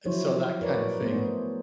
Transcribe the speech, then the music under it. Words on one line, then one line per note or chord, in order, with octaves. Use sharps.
uh, so, that kind of thing,
F3 F#3 E4 C5 C#5
A#4 B4 C#5 D5
A3 B3 G#4 C5